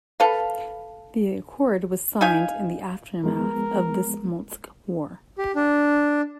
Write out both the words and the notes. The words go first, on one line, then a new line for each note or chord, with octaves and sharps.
The accord was signed in the aftermath of the Smolensk War.
A4 B4 F5
D#4 E5 F5 G#5
F3 G#3 B3 A#4
G4
D4